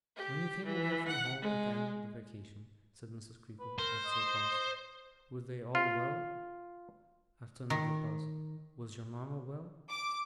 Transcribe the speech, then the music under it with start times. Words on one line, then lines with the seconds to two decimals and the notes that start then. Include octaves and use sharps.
'When you came away from home at the end of the vacation,' said Mrs. Creakle, after a pause, 'were they all well?' After another pause, 'Was your mama well?'
0.16 G4
0.65 E3
1.08 F#5
1.41 G#3
3.60 B4
3.79 A#4 C5
4.05 D#5
5.75 F4
7.70 D#3
9.90 D6